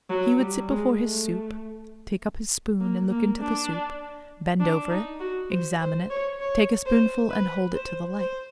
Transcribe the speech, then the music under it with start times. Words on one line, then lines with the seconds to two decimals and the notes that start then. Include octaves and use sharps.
He would sit before his soup, take up his spoon and look into the soup, bend over it, examine it, take a spoonful and hold it to the light.
0.10 F#3
0.39 G3
0.70 G#3
1.00 A3
2.80 A#3
3.10 A#3
3.40 D4
4.60 D4
4.90 D#4
5.20 F#4
5.50 C5
5.81 C5
6.10 C#5
6.40 C#5
6.86 C5
7.30 B4
7.75 C5
8.20 C5